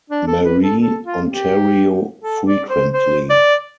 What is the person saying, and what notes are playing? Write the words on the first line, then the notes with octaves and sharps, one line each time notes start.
Marie, Ontario frequently.
D4
A4
B4
A4
A4
F4
G4
A4
D5
C5
C5
D5